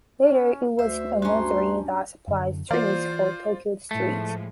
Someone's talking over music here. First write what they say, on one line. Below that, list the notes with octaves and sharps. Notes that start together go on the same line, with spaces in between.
Later it was a nursery that supplied trees for Tokyo's streets.
C#4
D2 C5 E5
G2 C#4 F#4 A#5 C6
F#2 D3
E3 A#3 F4 C5 D5
A2 F3 G#3 A3